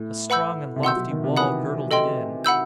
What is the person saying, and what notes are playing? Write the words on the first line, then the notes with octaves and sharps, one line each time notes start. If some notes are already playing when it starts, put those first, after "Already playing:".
A strong and lofty wall girdled it in.
Already playing: A2
B4 F#5 B5 E6 G6
C3
B2 F#5 C6 E6 G6
F#3
D#3
C3
D#3
E3 F#5 B5 D#6 F#6
A4 D#5 G5 C6
F#5 B5 E6 G6